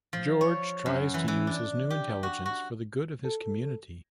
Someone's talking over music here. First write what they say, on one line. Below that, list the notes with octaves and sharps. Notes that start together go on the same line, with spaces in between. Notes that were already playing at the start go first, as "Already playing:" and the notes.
George tries to use his new intelligence for the good of his community.
F3
C#5
F#2
E3
E3
D4
G4
F#4
F#4
A4